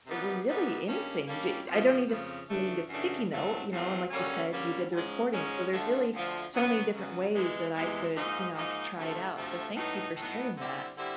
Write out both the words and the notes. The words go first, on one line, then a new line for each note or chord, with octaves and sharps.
r really anything, j I don't even need a sticky note, you know, and like you said, you did the recording, so there's really so many different ways that I could you know, I could try it out, so thank you for sharing that.
C3 D#3 G3 B3
C3 D#3 G3 B3
G2 D#3 G3 A#3 C#4
G2 D#3 G3 A#3 C#4
F2 C#3 F3
F2 C#3 F3
F#2 C#3 E3 A3 D4
F#2 C#3 E3 A3 D4
E2 B2 F#3 A3 C4
E2 B2 F#3 A3 C4
F#2 D3 G3 A#3 C#4
F#2 D3 G3 A#3 C#4
G#2 F3 G#3 C#4
G#2 F3 G#3 C#4
D2 D3 F3 A3
D2 D3 F3 A3
C#3 F#3 B3
C#3 F#3 B3
E2 C3 E3 G#3
E2 C3 E3 G#3
G#2 F3 A#3 D#4
G#2 F3 A#3 D#4
D2 C3 F3 A3
D2 C3 F3 A3
A2 F#3 B3 D#4
A2 F#3 B3 D#4
D3 G3 C4 E4 G4
D3 G3 C4 E4 G4